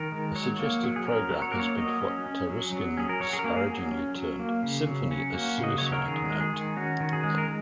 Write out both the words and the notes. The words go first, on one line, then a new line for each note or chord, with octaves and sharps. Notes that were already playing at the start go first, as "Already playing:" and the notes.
A suggested program has been what Taruskin disparagingly termed symphony as suicide note.
Already playing: D#3 A#4
G#3
F#3 C#5
A#3
F#3
G#4
C#4 A#4
F#3
C#5
A#3 A#4
C#5
F#3 D#5
C#4
C#4
F#3
F#3
C#4 G#4
A#4
F#3 C#5
G#4
A#4
A#3
G#4
F#3
C#4
F#3
A#3
C#3
F#3
C#4
A#3 F#4
C#3
D#5
F#3 C#5
A#4
D#3 G#4
G#3
G#4
D#3
C#4 F#4
D#3
G#4
G#3
A#4